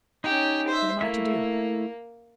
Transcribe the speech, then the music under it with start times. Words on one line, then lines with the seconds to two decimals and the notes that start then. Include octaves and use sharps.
What am I to do?
0.24 C#4 D#4 G4
0.68 C5 E5
1.01 A3 A#3 E4 E5